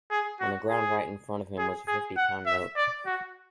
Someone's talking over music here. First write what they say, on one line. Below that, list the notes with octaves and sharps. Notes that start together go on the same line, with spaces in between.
On the ground right in front of him was a fifty pound note.
G#4
F#4
G#4
G#4
G#4
F#5
E5
D5
F#4